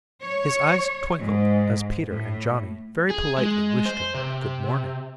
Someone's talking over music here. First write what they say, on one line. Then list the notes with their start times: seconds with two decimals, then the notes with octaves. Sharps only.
His eyes twinkled as Peter and Johnny very politely wished him good morning.
0.21 C#5
1.19 G#2
2.10 A2
3.10 G#4
3.38 G#3
3.86 C5
4.14 C3